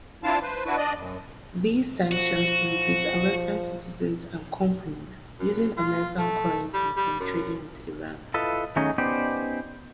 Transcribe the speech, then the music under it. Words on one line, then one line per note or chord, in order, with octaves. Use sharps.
These sanctions prohibit American citizens and companies using American currency from trading with Iran.
C4 D4 E4 F4 F5 A5
B4 C5
D4 E4 F#4 B4
D4 D5 D#5
F#2
F3 F#4
F#2
F4
A3
G3
G3
F#2
E4 F4 A4 B4 D#5
D#3 F#3 A3 C#4 D#4 G#4
B3 C#4 D#4 G4 C5 D5